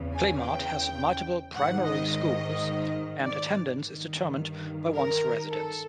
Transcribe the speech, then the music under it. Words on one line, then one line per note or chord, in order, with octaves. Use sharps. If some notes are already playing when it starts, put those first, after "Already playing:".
Clamart has multiple primary schools, and attendance is determined by one's residence.
Already playing: E2 C#3 E3
G#5
G5
G#2 D#3 F#5
D#5
D#5
D5
G2 D#3
A#4
A4